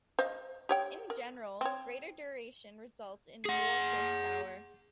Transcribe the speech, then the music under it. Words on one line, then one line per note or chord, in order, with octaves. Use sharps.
In general, greater duration results in more horsepower.
C5 D#5 F5
G4 C#5 G5
A#4
C4 C#5
G#4 F#5